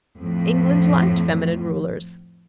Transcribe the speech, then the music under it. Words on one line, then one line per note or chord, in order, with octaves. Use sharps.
England liked feminine rulers.
F2 A2